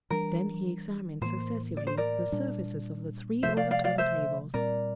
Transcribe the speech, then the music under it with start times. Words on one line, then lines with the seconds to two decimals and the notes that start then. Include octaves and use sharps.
Then he examined successively the surfaces of the three overturned tables.
0.10 E3 G3 D4 A#4
1.21 A2 E3 A#3 C5
1.77 D5
1.87 C5
1.97 A#4 D5
2.32 A#2 G3 D4
3.43 C3 F3 A3 C5 E5
3.57 D5 F5
3.71 D5 F5
3.84 D5 F5
3.98 C5 E5
4.54 A#2 G3 C4 A#4 D5